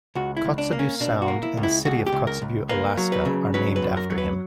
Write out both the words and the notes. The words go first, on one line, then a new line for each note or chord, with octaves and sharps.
Kotzebue Sound and the city of Kotzebue, Alaska are named after him.
C#2 F#4
E4
C#2
D4
A#3
C#4
B2 D4
F#4
A#3
E4
C#2
E4
C#2 F#4
G4
C#2
A#4
C#2
A#3 B4
F#3
B4
C#3
F#3 B4
B4
F#2
A#4
F#3
B4